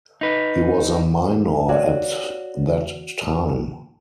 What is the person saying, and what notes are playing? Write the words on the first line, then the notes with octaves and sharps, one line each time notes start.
He was a minor at that time.
D#4 B4
F#4 C#5 D5 F5